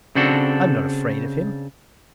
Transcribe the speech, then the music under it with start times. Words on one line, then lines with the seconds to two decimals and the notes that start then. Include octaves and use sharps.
"I am not afraid of him."
0.15 C#3 C4 D4 F#4 A4